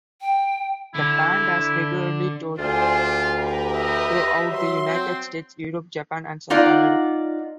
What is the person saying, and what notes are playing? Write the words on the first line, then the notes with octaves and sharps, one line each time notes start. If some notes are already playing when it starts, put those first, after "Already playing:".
The band has regularly toured throughout the United States, Europe, Japan, and South America.
G5
D3 E4
D2 F4 G#4 C5 D5
G4 A#4 B4
D#5 E5
F#3 C6
C4
D#4 F4 D5 F#5